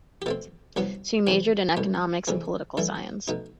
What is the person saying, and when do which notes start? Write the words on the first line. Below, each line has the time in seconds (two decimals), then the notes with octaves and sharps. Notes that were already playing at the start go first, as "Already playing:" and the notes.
She majored in economics and political science.
0.22 G4
0.26 B2 A3 C4 A4
0.76 C2 C3 F#3 B3
1.27 E2 C3 E3 G5
1.77 C2 B2 A3
2.27 E2 C3 E3 A3
2.77 G2 E3 A3 E4 A5
3.28 B2 A3 D#4